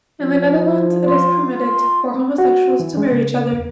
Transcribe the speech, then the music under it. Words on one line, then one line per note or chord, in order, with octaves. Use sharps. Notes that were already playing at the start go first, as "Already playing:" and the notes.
In the Netherlands it is permitted for homosexuals to marry each other.
F3
F4
C4
F#4
E3
G#3
C#3
E2